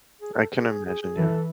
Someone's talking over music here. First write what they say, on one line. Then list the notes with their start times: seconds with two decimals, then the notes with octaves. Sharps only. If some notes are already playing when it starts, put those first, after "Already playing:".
I can imagine, yeah.
0.21 G#4
0.33 A4
0.57 G#4
0.69 G#4
0.85 G#4
1.02 G#4
1.17 E3 A4